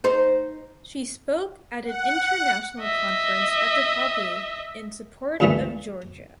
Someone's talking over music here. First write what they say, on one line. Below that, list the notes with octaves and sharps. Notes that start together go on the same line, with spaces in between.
She spoke at an international conference at The Hague in support of Georgia.
D#4 C5
F#5
D#5 E5
C#2 G2 A#2 D3 E3 A3